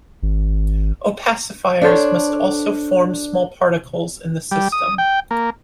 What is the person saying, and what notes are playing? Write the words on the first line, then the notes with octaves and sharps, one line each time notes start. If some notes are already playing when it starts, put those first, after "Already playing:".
Opacifiers must also form small particles in the system.
G#1
D4 A4 C5 C#5
G3
D#6
G5
A#3